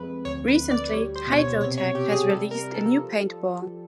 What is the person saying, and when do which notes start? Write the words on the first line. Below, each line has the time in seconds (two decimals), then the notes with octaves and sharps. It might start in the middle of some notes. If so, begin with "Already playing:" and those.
Recently, HydroTec has released a new paintball.
Already playing: F2 G#3 B4
0.25 D2 C#5
0.48 B4
0.59 D2
0.71 D5
0.93 G3 C#5
1.16 C5
1.27 B2
1.38 C#5
1.61 C3 C#5
1.78 C#5
1.95 C3 G4
2.12 G#4
2.29 G3 A4
2.51 A#4
2.63 G3
2.74 A4
2.97 F3
3.30 F3